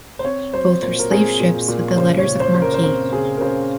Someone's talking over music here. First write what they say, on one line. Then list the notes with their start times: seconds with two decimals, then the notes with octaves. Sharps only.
Both were slave ships with letters of marque.
0.19 C5
0.25 C4 C#5
0.53 F#3 C5
0.82 A#2 C5
0.99 A#4
1.11 C4 G#4
1.40 A#2
1.68 A#2
1.97 C#3 C5
2.18 C#5
2.26 C#3
2.40 C5
2.54 C#3
2.62 A#4
2.74 C5
2.83 C4 A#4
3.12 C#3 G#4
3.37 A#4
3.41 C#3 C5